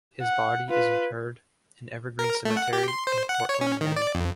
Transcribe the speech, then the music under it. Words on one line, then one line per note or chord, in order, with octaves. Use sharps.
His body is interred in Evergreen Cemetery in Portland, Maine.
F#5
F4 B4
A#4
A3
F#5
G4
C6
C5
F#5
C#5
C#4
D#3
D5
F2